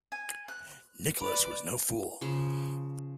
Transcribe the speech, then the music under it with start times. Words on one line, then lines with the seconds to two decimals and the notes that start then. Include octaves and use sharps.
Nicholas was no fool.
0.12 G#5
0.48 F#6
1.21 B4 D5 B5 D6
2.21 C#3 F3